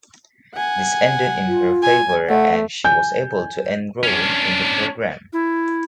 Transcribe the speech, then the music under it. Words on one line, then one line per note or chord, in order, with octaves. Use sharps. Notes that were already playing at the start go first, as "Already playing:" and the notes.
This ended in her favor and she was able to enroll in the program.
F#5 G#5
F4
G#5
A3 F#5
G#5 G6
C#4 D4
E4